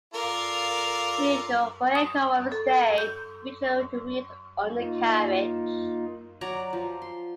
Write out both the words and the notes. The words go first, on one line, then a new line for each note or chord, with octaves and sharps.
Unusual for aircraft of its day, it featured a wheeled undercarriage.
F4 A4 A#4 D5 F5
D#6
A4
G6
A#3 D#4 F4
F#3 D5 A#5
F3
C6